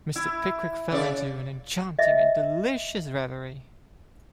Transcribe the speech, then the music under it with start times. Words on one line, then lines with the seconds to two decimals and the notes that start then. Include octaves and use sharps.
Mr. Pickwick fell into an enchanting and delicious reverie.
0.16 E4
0.92 C#3 D5
1.99 D#5 E5